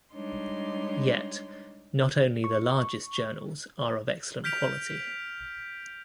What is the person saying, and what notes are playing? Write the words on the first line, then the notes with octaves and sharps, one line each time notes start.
Yet, not only the largest journals are of excellent quality.
G3 G#3 D4 D#4 C#5 C6
C#6
F6 G6 B6 D7 F7